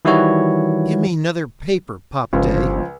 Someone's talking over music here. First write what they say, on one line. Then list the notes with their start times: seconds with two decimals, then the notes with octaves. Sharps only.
"Give me 'nother paper, Papa-day."
0.05 D#3 E3 G3 E4 F#4 C#5
2.33 G1 C#2 F3